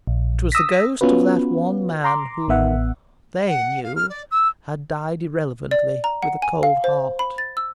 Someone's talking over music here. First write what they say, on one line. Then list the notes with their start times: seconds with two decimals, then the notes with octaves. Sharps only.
It was the ghost of that one man who--THEY knew--had died irrelevantly, with a cold heart.
0.07 A#1
0.52 D#6 E6 A#6 B6
1.01 B3 C#4 F4 F#4 B4
2.04 A#5 C6 D6
2.48 A1 B3 E5 F#5
3.47 F#5
3.83 F5
3.96 F6
4.09 D5
4.31 E6
5.71 D5
6.04 A#5
6.22 F#5
6.42 G#5
6.63 F5
6.84 C5
7.19 B5
7.38 A6
7.57 E6